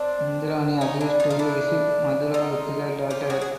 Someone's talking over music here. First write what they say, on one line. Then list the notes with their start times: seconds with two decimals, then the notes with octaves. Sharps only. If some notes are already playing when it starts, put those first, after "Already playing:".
Indrani agrees to visit Mathura with her daughter.
Already playing: C4 D4
0.81 C#4 D#4
1.01 D4 E4
1.20 D#4 F4
1.31 F4
1.39 D4 E4
2.34 D#4 F4
3.10 F4 G4
3.30 F#4 G#4
3.42 G#4